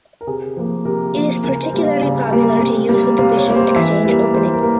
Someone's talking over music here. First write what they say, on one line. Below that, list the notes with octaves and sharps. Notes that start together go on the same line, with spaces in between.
It is particularly popular to use with the Bishop Exchange opening.
A#4
C3 G#4
F3 A#3
C3 A#4
F3 A#3
C#3 A#4
C5
G3 A#3
F5
C#3
G3 A#3
C3
G3 A#3
C3 F5
C#5
G3 A#3
C5
E3 E5
G3 A#3
E3 C5
A#4
A#3